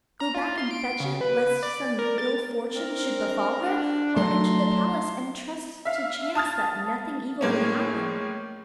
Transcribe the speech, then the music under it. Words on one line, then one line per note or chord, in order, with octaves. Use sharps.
Go back and fetch it, lest some ill-fortune should befall her, or enter the palace and trust to chance that nothing evil would happen?
A#5
F4
C6
D7
C#3
B4
D5
A#4
A6
C4 D4 A#4
D4
F#3 A3 A5 A#5 C6
E5 F5
A5 D#6 F6 A6
A2 G#3 A#3 C#4